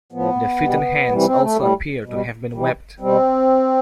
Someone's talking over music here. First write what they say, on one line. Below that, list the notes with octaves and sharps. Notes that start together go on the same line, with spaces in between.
The feet and hands also appear to have been webbed.
A2 F3 B3
B2 G3
C3 E3 G3
C4
A3
A2 G3
B2 G3
C3 E3 G3
B2 G3 C4